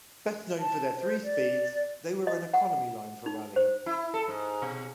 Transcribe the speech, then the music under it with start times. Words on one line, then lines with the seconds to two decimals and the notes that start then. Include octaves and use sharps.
Best known for their three-speeds, they were an economy line for Raleigh.
0.60 A5
0.99 C5
1.24 D5
2.27 D#5
2.54 F#5
3.26 D#4
3.56 C5
3.86 E4
4.14 A4
4.28 G#2
4.62 B2